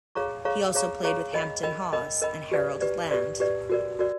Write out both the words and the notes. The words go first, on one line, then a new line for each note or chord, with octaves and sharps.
He also played with Hampton Hawes and Harold Land.
G#4 C#5 F5 A#5 C#6
G#4 C#5 F5 A#5 C#6
G#4 C#5 F5 A#5 C#6
G#4 C#5 F5 A#5 C#6
A#4 D#5 G5 B5
A#4 D#5 G5 B5
A#4 D#5 G5 B5
A#4 D#5 G5 B5
G4 B4 D5
G4 B4 D5
G4 B4 D5
G4 B4 D5
F#4 A#4 D5
F#4 A#4 D5